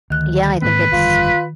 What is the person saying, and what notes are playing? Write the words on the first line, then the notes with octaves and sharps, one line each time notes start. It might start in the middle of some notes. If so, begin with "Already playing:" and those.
yeah, I think it's
D2 D#3 F#6
G#2 A#3 C4 B4
G1 F2 F4